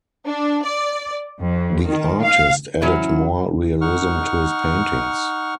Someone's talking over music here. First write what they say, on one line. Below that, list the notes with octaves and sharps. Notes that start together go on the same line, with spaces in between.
The artist added more realism to his paintings.
D4
D5
F2
D#3
F5
F#3 C#4 E4
D#4 F#5 C#6 F6